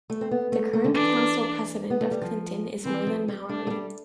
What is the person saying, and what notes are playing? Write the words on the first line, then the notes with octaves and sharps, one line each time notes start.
The current council president of Clinton is Merlin Mowery.
A3
C4
B3
A3
A3
D3
E3 D4
B3
A3
G3
F3
E3 C4
F3
G3
A3 D4
A3
G3